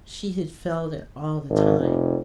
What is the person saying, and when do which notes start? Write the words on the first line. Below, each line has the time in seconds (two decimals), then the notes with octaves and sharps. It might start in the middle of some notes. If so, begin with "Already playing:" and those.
She had felt it all the time.
1.50 G#1
1.80 F1